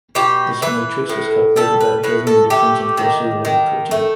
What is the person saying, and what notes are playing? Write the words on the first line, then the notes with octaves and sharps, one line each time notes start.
This matrix is calculated by observing the differences in closely related proteins.
B2 G4
E3 B4
A2
G3 A4
B4
A2 B4
A4
A3 G4
D#3
D#3
A3